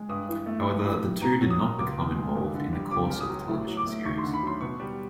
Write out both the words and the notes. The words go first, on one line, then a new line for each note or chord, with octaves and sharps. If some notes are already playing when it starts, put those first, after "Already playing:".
However, the two did not become involved in the course of the television series.
Already playing: G#3
G2 D#6
E3
A3
G2
E3
G3
B2 A#5
F#3
D#6
A#3
C#2 D6
B2
G#3
G2
D3
G3
C#2 D6
C#3
D#6
F#3
A2
F#3
D6
A3
D#2 C#6
D3 C6
B5
F#3 C6
B2 C#6
G3